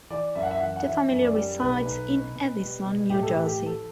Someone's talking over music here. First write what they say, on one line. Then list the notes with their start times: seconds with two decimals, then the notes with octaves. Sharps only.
The family resides in Edison, New Jersey.
0.10 E3 D5
0.35 F#2 E5
0.43 F#5
0.51 E5
0.60 E3 F#5
0.76 F#5
0.85 E3 E5
1.10 F#2
1.22 D5
1.35 G3
1.60 B1 B4
1.85 B1
2.10 B2
2.35 B2
2.60 G3
2.86 B2
3.10 A2 G4
3.22 A4
3.29 G4
3.35 E3
3.42 A4
3.47 G4
3.60 E3
3.66 A4